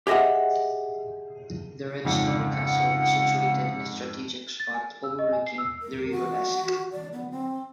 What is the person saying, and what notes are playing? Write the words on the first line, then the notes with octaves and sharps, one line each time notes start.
The red stone castle is situated in a strategic spot overlooking the River Esk.
G4 G#4 D#5 E5 F#5
F2 G#2 C#3 F#5
A6
G#5
E6
D#5
G#5
C7
E6
A#4
F#4
D5
B3
C4